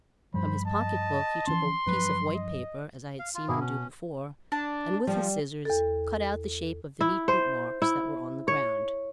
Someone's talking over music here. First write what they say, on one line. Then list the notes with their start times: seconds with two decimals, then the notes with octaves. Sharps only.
From his pocket-book he took a piece of white paper as I had seen him do before, and with his scissors, cut out the shape of the neat bootmarks that were on the ground.
0.34 G2 F3 G3 C5 B5
0.65 D#5 A5
1.47 E3 F3 C#4 C6
1.87 G2 F3 F#3 B4
2.35 D#5
3.19 F5
3.35 F4
3.48 B2 A#3 E4 G#4
3.60 C#4
4.52 D4 A5
5.07 F3 G3
5.65 E2 A4
7.01 E4
7.28 C5
7.82 E4
8.48 C#5